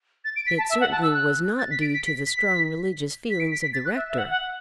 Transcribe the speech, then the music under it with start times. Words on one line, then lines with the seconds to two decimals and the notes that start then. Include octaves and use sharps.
It certainly was not due to the strong religious feelings of the rector.
0.25 A6
0.36 D7
0.46 B6
0.58 A5
0.70 E5
0.81 F#5
0.92 A5
1.02 E6
1.14 F#6
1.59 A6
1.71 B6
1.81 D7
1.94 B6
2.05 B6
2.26 B6
3.30 B6
3.40 D7
3.51 B6
3.63 B6
3.73 A6
3.85 F#6
3.96 E5
4.09 E5
4.18 F#5
4.30 F#5